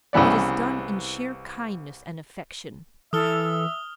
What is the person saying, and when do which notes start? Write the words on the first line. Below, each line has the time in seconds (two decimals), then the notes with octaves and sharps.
It is done in sheer kindness and affection.
0.13 C2 C#3 E3 B3 D5
3.13 E3 A4 E5 D#6 F6 G7